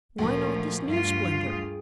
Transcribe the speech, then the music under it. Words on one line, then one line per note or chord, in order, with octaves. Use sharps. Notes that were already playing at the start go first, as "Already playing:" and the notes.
Why not this new splendor?
D2 A#2 F3 A#4 E5
G2 F4 G6
G#4 G5 D#6